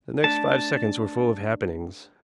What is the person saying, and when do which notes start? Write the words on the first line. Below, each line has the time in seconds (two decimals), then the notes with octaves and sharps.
The next five seconds were full of happenings.
0.24 A3 D4 A5